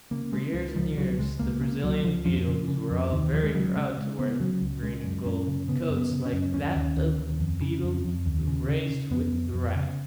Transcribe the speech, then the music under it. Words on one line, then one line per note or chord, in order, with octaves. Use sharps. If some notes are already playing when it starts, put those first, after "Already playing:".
For years and years the Brazilian beetles were all very proud to wear green and gold coats like that of the beetle who raced with the rat.
C#3 A#3
C#3 G#3
C#2 G#3
C#2 F3
C#2 F#3
C#2 G#3
C#2 A#3
C#3 A#3
C#2 F#3
C#2 F3
F2 F3
C#3
C#3
F2
D#2 D#3
D#2 F3
G#3
C#3 F#3
C#3 G#3
C#3
C#3 B3
C#3 F#3
C#2
C#3 G#3
F#2
F#2 C#4
C#3
C#3 B3
F#2
B3
C#3
C#4
F#2
D#2 C#4
D#2
D#2
D#2
F2
C#3
F2
F2
D#2
C#3
C#3
C#3
F2 B3
F2
F2
C#3